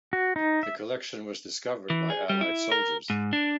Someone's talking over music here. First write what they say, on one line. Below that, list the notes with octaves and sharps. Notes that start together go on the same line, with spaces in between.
The collection was discovered by Allied soldiers.
F#4
D#4
E5
E3
G#4
G3
E4
A#4
G#2
D4